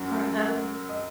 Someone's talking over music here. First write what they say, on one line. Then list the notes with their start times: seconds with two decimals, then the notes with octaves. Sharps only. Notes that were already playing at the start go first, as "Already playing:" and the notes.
For that long
Already playing: F#2 F#3
0.89 D#5